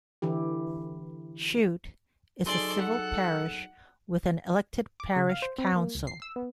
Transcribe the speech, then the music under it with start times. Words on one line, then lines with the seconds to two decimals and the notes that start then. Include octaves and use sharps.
Chute is a civil parish with an elected parish council.
0.22 D3 E3 E4 G4
2.46 F#3 D#4 G#4 A4 D5 C6
2.79 F#5
5.00 D6
5.16 C#3
5.29 F5
5.42 C5
5.58 C4
5.76 A#3
5.95 C#2
6.07 C7
6.22 E6
6.36 B3